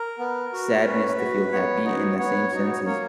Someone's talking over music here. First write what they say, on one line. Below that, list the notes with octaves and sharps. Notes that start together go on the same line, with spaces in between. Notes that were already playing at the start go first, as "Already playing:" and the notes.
sadness to feel happy in the same sense as
Already playing: A#4
B3
F#4
C#4 B4
F#4
B3 C#5
D#4 F#4
B3 C#5
D#4 F#4
A#3 C#5